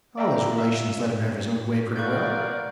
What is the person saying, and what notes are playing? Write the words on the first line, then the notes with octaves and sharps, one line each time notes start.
All his relations let him have his own way pretty well.
D5 E5 F5 G5 A#5 D6
E5 F5
B3 G4 A#4 D5 F5 C#6 F#6 G6